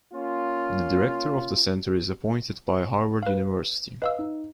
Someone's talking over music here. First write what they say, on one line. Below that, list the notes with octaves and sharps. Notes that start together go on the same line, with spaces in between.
The Director of the Center is appointed by Harvard University.
A#3 C#4 F4
B4 F5
B4 D#5 F5 E6
D#4